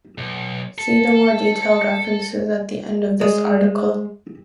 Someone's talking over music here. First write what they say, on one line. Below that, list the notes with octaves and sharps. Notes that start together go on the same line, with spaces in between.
See the more detailed references at the end of this article.
B1
A4
G#3